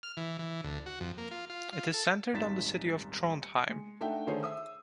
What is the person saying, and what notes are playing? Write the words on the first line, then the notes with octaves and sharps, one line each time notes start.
It is centered on the city of Trondheim.
F6
E3
E3
D2
F#4
F2
A#3
F4
F4
F4
A4
D#1 G#1 D#4 A6 B6 E7
C#7
G#3
A3 D4 D#4 E5 F#5 G5
D3 D#3 A3 G#4 C5 C#5
E5 D#6 E6